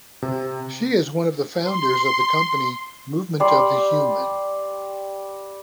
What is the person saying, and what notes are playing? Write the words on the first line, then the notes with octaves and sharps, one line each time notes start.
She is one of the founders of the company Movement Of The Human.
C3
C6
G3 D5 C6